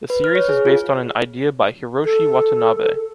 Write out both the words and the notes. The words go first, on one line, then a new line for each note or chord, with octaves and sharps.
The series is based on an idea by Hiroshi Watanabe.
B4
F6
C#5
G#4
F4
A4